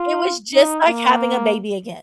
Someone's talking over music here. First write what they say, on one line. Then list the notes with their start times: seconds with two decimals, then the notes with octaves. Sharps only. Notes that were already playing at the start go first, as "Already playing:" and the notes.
It was, just, like having a baby again.
Already playing: F4
0.55 D#4
0.88 A#3